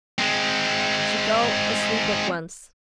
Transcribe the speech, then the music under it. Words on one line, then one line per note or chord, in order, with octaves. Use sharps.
She fell asleep at once.
G#3 C4